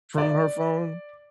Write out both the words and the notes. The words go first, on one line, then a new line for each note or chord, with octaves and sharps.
from her phone,
D5